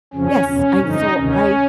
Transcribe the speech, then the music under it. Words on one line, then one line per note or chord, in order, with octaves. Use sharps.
Yes, I so, I
F2 C#3 F3 C#4
E2 B2 C#4
G2 D3 F3 D#4
D2 C3 D#3 C#4